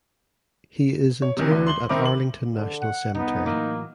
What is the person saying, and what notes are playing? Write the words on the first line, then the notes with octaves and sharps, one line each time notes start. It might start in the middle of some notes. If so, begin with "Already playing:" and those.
He is interred at Arlington National Cemetery.
C#5
C3 D#3 E3
D2
C6 F#7 G7
D#3 C4 A#4 E5 B5 D6
F#7
D3
F#5
C2 B3 D#4
A2 E3 F#3 A#3